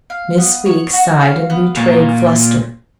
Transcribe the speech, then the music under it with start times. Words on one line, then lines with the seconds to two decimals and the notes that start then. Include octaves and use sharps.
Miss Weeks sighed and betrayed fluster.
0.10 F5
0.38 B3
0.66 C#5
0.93 F#4
1.21 F5
1.50 B3
1.77 A#2 C#5